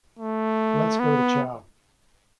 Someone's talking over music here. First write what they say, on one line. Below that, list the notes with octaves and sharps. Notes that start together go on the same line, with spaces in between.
Let's go to chow.
A3
B3